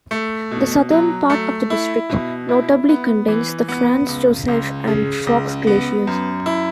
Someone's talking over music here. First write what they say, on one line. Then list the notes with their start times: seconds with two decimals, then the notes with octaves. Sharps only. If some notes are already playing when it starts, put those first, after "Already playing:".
The southern part of the District notably contains the Franz Josef and Fox glaciers.
0.11 A3
0.51 B2
0.91 F#3
1.30 A3
1.70 E4
2.09 B2
2.49 E4
2.89 B3
3.28 E3
3.69 B3
4.08 C#2
4.48 C#2
4.87 C#3
5.27 C#2
5.67 B3
6.07 F#2
6.46 E4